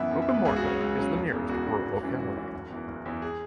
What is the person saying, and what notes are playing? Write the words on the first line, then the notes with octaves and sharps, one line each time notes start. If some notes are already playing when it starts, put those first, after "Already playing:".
Mukhomorka is the nearest rural locality.
Already playing: F#2 E3 B3 E5 F#5
F#2
E5
E3 B3
B4
C#2 G#4
F#4
C#3 F#3 C#4
C#2
C#3 F#3 C#4
E1
E2 C#3
E1 F#4
E2 C#3 F#4
G#1
F#2 E3 C#4
G#1 F#4
F#2 E3 C#4
F#1
E2 E3
F#1
E2 E3
G#4